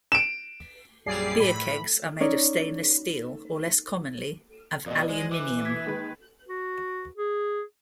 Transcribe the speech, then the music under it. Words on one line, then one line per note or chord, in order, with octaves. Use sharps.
Beer kegs are made of stainless steel, or less commonly, of aluminium.
D7 E7
A#1 F#2 G3 G#4 D5 C7
A2 B5
C#4 D#4 C#5 D5
F2 B2 A#4 D5 D#5
G#3 C5
E3 D6
A#3 G#6 B6
D#3 G#3 B4
F#4
G#4